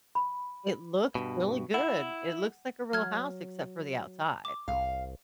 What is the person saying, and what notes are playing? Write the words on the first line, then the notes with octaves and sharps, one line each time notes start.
It looks really good. It looks like a real house, except for the outside.
B5
G2 B2
E4 F#5
F#3 F6 G#6
D6
C2 F5